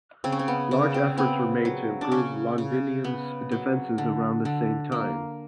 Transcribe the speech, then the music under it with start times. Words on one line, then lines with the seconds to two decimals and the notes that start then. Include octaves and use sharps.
Large efforts were made to improve Londinium's defenses around the same time.
0.24 C#3 C4
0.32 C#4
0.39 C4
0.48 B3
0.71 C#3
0.94 C4
1.18 B3 C4
1.65 F#3
2.01 D4
2.12 C#3 C#4
2.58 C#3
3.04 B3
3.52 F#3
3.98 D3
4.45 D3
4.92 A#3